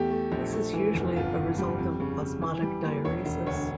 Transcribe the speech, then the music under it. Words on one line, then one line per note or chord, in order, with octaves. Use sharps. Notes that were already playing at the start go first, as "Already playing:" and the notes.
This is usually a result of osmotic diuresis.
Already playing: E2 A3 G4
A3
A#1
A3
E3
F1
G1 F4
G1
G3
F2
C#3
C#3
E3
G3
A#3
E1 C#5
E1
D2 C#5